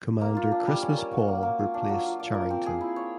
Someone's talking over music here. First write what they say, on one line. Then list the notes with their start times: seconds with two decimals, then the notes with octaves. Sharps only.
Commander Christmas Paul replaced Charrington.
0.21 A#3
0.37 F4
0.51 D4
0.67 G3
0.82 C#4
0.97 A#3
1.13 F#4
1.28 A#3
1.43 A#3
1.59 F4
1.74 D4
1.89 F#3
2.05 F4
2.20 D5
2.35 A#4
2.50 C4
2.66 G#4
2.81 E4
2.96 C#5